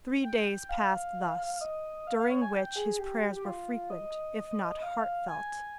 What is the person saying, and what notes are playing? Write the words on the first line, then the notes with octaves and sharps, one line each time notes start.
Three days passed thus, during which his prayers were frequent, if not heartfelt.
G5
F5
D#5
F5
F5
C#5
G#5
G5
G#4
G4
G4
F4
D#5
F5
G#5